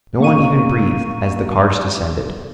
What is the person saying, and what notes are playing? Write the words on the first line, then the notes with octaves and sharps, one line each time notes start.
No one even breathed as the cards descended.
A#3 C#6 D#7